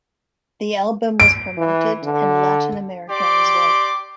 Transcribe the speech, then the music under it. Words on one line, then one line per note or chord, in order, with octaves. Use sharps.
The album was promoted in Latin America as well.
D7
E3
D3
G4 D5 C6 D6